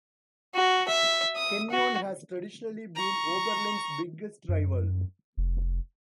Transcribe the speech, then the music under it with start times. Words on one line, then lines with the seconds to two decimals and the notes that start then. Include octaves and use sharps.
Kenyon has traditionally been Oberlin's biggest rival.
0.55 F#4
0.88 E5
1.36 D#6
1.70 F#4
2.96 A#5 C#6
4.49 F#2
5.37 F1